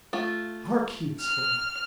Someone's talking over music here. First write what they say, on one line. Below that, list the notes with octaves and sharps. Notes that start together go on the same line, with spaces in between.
"Hark!" he exclaimed.
A3 F4
F6